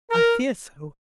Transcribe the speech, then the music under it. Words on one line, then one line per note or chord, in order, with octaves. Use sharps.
"I fear so."
A#4